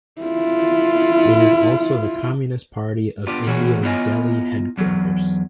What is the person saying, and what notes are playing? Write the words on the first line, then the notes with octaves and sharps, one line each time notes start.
It is also the Communist Party of India's Delhi headquarters.
E4 F4
B3 D4 F4 G4 D5
A#2 E3 F#4 G#4 C#5
B3 E4 F4 C#5 D#5 G#5
E2 F#3